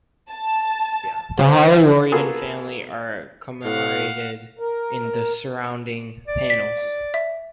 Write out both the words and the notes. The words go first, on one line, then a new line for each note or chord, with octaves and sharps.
The Holroyd family are commemorated in the surrounding panels.
A5
C5
A#3 B3 F4 F#4 G#4 A4
A2 F5 F#5
A#4
D5
B6
E5